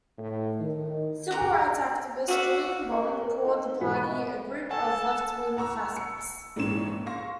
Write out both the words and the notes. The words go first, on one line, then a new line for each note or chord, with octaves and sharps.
Civil Rights activist Julian Bond called the party "a group of leftwing fascists".
A2
D#3
F#4 G4 A#4
F#4 D5 E5 F5
C#4 G4 A#4 D#5 C#6
A#4
C4 D#4 A4 F#5
E2 G#2 B2 F#5 G#5 B6
B5 C#6 D#7
D#5 E5
A4 F#5 G#5 A5
F#5 A#5 C#6 E6
C#7
A#1 G#2 E3 C#4 E7
F5 C6 C#6 A#6